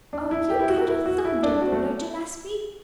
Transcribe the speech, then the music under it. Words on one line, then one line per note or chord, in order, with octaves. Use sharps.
"Oh, you go to thunder, Bruno Gillespie!"
D4
E4
G4
E4
F#4
E4
F#4
E4
D4
F#4
A3